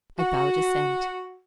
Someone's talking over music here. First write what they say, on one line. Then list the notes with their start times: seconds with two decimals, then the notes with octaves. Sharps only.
I bowed assent.
0.18 F#4